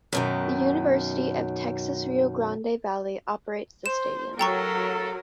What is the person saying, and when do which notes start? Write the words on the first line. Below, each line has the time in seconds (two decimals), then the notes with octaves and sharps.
The University of Texas Rio Grande Valley operates the stadium.
0.13 F#2 B2 D#3
3.86 C5 E7
4.39 A2 C#3 F#3 A4 A#4 G5 A#5 C#6